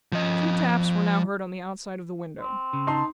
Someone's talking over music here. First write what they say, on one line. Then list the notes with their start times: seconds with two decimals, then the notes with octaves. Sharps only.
Two taps were now heard on the outside of the window.
0.12 F3 D#5
2.41 C4
2.73 C#3
2.87 D#4 A5 C6